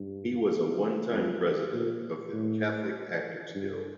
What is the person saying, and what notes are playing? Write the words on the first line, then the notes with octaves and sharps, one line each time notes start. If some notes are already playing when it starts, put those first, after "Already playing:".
He was a one time president of the Catholic Actors Guild.
Already playing: G2
F2
A#2
A2
G2